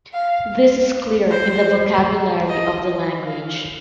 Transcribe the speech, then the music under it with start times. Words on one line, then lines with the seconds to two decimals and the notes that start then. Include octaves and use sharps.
This is clear in the vocabulary of the language.
0.13 F5
1.30 C5
2.48 D#5
3.25 F5